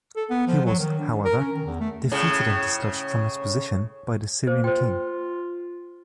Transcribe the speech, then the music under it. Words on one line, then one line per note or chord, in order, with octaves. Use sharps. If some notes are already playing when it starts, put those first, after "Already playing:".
He was, however, defeated and dislodged from his position by the Syrian king.
A4
B3
F3
F#3
D#3
D4
A#4
C#4
D#3
E2
A3
A2 C#3
A#3 C5
F4 C5 G5